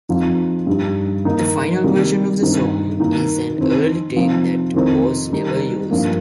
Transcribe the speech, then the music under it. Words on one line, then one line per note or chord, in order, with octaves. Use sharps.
The final version of the song is an early take that was never used.
F2 F3 D#4
G2 G3 D#4
D#3 A#3 D#4
C3 D#3 G3 A#3
G2 D#3 C4 D#4
D#3 A#3 D#4
D#3 C4 D#4
C3 F3 D#4
F2 D#3 C4 D#4
D#3 G3 D#4
G2 F3 A#3